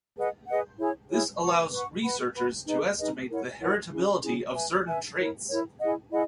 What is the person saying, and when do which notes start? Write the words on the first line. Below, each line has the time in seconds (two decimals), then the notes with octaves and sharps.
This allows researchers to estimate the heritability of certain traits.
0.17 G#4 B4 D#5 F#5
0.47 G#4 B4 D#5 F#5
0.79 E4 G#4 C#5
1.10 E4 G#4 C#5
1.41 B4 F#5 C#6
1.72 B4 F#5 C#6
2.04 B4 F#5 B5
2.35 B4 F#5 B5
2.67 D#4 G#4 B4 D#5
2.98 D#4 G#4 B4 D#5
3.30 E4 A#4 C#5 F#5
3.60 E4 A#4 C#5 F#5
3.92 C#4 E4 G#4
4.23 C#4 E4 G#4
4.54 B4 E5 G#5
4.86 B4 E5 G#5
5.17 E4 A#4 C#5
5.48 E4 A#4 C#5
5.80 E4 G#4 D#5 F#5
6.11 E4 G#4 D#5 F#5